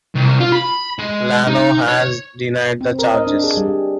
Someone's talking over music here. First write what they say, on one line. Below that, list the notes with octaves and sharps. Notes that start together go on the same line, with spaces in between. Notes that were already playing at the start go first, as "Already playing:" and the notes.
Ianno has denied the charges.
C2
F4
B5
G#3
D#4
C#5
C4
A#4
D#5
D4
G#4
G3